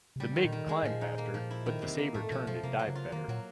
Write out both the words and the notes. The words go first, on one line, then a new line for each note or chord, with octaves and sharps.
The MiG climbed faster, but the Sabre turned and dived better.
C3
C#3 G3
D#3
A#2
D#3
G#3
A2 F3
A#2
D#4
A#3
F3
E4
D#3
C3
A#3
A2 A3
B2 F3
B2 F3
C3 A#3
F#3
C#3
F4
D#3 A#3
A#2 F#3